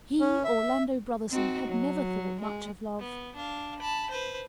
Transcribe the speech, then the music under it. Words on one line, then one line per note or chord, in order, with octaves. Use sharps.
He, Orlando Brotherson, had never thought much of love.
C#4
E5
C4 D#4 F#4
F#3
G#3
B3
D4 F5
A5 B5
B4 C5